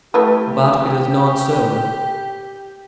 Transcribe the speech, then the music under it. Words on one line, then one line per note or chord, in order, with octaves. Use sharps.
But it was not so.
A3 E4 G4 B4